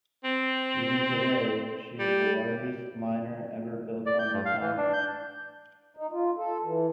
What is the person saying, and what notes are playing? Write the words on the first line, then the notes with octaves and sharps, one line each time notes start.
Even today, she is the largest liner ever built on the Tyne.
C4
G3
D5
G6
G2
F5
E3
D4
G6
D#4
F4
A4
E3